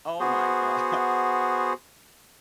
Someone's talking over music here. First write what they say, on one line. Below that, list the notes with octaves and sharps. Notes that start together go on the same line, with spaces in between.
Oh my god.
B3 F#4 G#4 C5